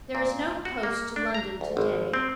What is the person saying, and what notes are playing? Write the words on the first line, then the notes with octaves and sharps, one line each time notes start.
There is no post to London to-day.
A#2
F#4
A#3
D4
A#5
D2
G#1
C4